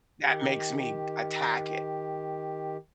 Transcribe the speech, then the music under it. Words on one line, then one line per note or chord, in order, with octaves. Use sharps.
that makes me attack it,
D#3 G4